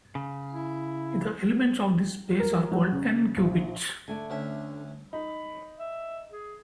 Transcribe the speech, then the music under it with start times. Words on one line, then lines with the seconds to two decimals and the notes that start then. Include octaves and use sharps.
The elements of this space are called "n"-qubits.
0.15 C#3
0.52 E4
2.40 A#4
2.72 F#3
2.92 C#3
3.37 A#1
4.08 D3 A3 D4 G#5
4.30 D2 C#4 E5
5.13 D#4 B5
5.79 E5
6.32 G#4